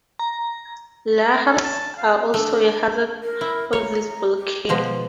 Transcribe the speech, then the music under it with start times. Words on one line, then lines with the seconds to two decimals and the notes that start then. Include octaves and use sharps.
Lahars are also a hazard of this volcano.
0.19 A#5
1.28 A#4
1.46 A4
1.64 A5
1.98 F5
2.34 A3 D4
3.23 A#4
3.41 E4
3.73 C#5 A#5
4.39 G4
4.69 B2 F3 G#3 C6